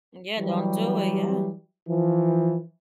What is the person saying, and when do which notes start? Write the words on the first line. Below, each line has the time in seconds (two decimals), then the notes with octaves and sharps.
Yeah, don't do it. Yeah.
0.38 E3 F#3 G3
1.88 E3 F3